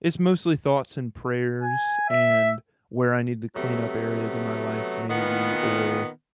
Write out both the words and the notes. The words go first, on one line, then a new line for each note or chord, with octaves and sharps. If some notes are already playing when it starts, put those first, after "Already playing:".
It's mostly thoughts and prayers and where I need to clean up areas in my life maybe or,
G#5
E5
C3 F#3 A3 B3
A#2 D#3 B3